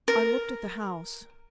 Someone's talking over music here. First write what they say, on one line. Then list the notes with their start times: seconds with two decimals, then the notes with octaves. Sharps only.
I LOOKED at the house.
0.08 A#4